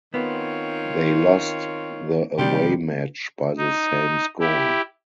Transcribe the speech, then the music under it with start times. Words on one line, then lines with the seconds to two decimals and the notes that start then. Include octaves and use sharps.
They lost the away match by the same score.
0.14 D#3 B3 C4 F4 C#5
2.38 C3 D#3 G3 G4
3.57 D#4
4.40 E4 G4